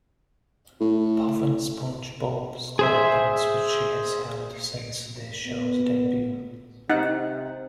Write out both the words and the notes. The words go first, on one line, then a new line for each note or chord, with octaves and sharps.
Puff in "SpongeBob SquarePants", which she has held since the show's debut.
A2
G#4 C5 E5
B3
C3 D#4 F#5